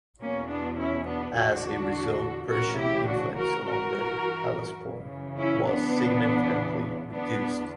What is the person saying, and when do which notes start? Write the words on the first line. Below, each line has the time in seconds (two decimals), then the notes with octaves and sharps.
As a result, Persian influence along the Hellespont was significantly reduced.
0.21 E2 B2 A#3 C#4
0.49 B3 D4
0.78 C#4 E4
1.06 B3 D4
1.35 E2 D3 D4 F#4
2.50 D2 C#3 E3 F#4 A#4
2.79 E4 G4
3.08 D4 F#4
3.36 F#4 A#4
3.65 G2 E3 F#4 A#4
4.81 F#2 C#3 E3
5.38 C#4 E4
5.66 B3 D4
5.95 E2 C#3 E3
7.10 E2 D3 B3 D4